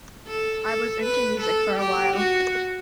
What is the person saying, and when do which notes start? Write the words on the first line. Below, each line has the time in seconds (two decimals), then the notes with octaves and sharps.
I was into music for awhile.
0.27 A4
0.65 A4
1.03 B4
1.41 A4
1.79 G4
2.17 F#4